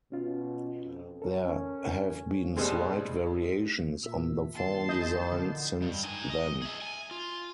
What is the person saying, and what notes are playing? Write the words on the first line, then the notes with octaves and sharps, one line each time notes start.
There have been slight variations on the font design since then.
B2 C#4 F4
F2
C#4 A4 A#4
B2 G3 G#3 C4
A#2 E5 E6
D#2 A5 C6
C4 E4 D#5 G#5 G6
A#1 D3 B3
G2
D#4 G#5
D#5
G#4 E5
G#5
F4